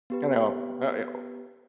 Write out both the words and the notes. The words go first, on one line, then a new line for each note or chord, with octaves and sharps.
you know, uh yeah, well
B3 G4 B4